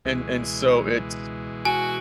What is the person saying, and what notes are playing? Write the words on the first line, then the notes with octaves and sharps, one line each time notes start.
and and so it's
C#2 B2 E3 G#3
F#4 G#5